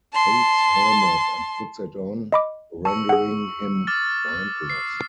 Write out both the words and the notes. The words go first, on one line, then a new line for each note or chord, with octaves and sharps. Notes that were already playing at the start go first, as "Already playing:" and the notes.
Fate's helmet and puts it on, rendering him mindless.
A5 C6
D#5 B5 D6
A5 C#6 E6 C#7
G#4 F#5
D6 F6 A6
C7